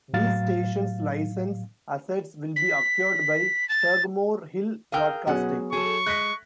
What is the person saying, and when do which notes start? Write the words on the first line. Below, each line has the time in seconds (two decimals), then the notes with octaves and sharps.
These stations' license assets will be acquired by SagamoreHill Broadcasting.
0.14 A2 F#3 F5 A6
2.56 B6
3.69 A6
4.92 G#4 A#4 F5 G5 E6 F6
5.27 B2 F#3 B3 C#4 G#4 F#5
5.73 F#3 G#4 A4 C#6
6.06 G#3 F#6 A#6 B6